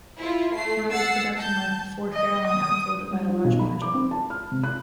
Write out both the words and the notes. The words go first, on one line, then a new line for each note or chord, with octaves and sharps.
Throughout its production life the Ford Fairlane outsold it by a large margin.
E4 F4
A3 C7
F#5 E6 A6 C7
A5 G6
D#5
D#6
G3
F4
B1
B5
D6
C4
A5
F6
C3
F#6